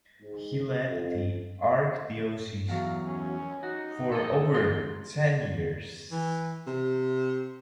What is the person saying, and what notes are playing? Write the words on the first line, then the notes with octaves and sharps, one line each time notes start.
He led the Archdiocese for over ten years.
G#2
F2
E2 F#3 F5
C#4
D#4 F#4
A4 D#5
E2 G#2 C6
E3
C3